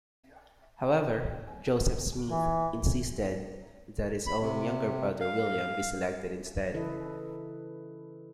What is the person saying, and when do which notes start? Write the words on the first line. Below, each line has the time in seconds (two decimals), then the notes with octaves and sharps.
However, Joseph Smith insisted that his own younger brother, William, be selected instead.
2.29 E3
4.27 B5
4.42 C3
5.21 F5
6.74 C#3 E3 E4 A4 B4 D#5